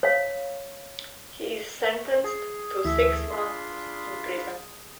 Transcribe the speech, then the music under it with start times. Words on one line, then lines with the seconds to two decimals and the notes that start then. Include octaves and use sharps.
He is sentenced to six months in prison.
0.03 C#5 F5
2.24 G#4
2.85 D2 E3 A3 E4 E5
3.30 D4 F4 D5 B5 C6